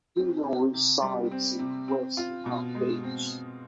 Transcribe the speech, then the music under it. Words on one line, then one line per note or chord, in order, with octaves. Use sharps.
He now resides in West Palm Beach.
C4
C3
C3
G3
C4
C3
C4
F4
B2
G#3
C4